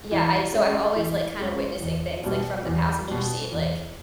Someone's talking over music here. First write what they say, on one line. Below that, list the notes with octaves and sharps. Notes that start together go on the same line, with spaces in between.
yeah, I so I'm always, like, kinda witnessing things, like, from the passenger seat, like,
E3
G#3 C#4
E3
G#3 C#4
E2
B2 G3
E2
B2 G3
E2